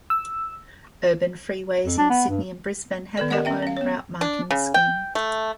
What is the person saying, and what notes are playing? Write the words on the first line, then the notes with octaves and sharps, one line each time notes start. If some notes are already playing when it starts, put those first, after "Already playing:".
Urban freeways in Sydney and Brisbane had their own route marking scheme.
E6
F2
D4
B3
G2
D#3 B3 A4 D5
G4 A#4 D5 D#5 F#5
C#4 E5 G5
C#4 F5
B3 C#5
D4
C#3
G5
A3